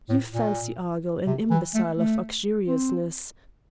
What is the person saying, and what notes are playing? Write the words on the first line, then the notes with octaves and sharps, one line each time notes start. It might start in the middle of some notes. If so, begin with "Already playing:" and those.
You fancy Argyll an imbecile of uxoriousness.
A2
A#2
C3
E3
A3
A3
C4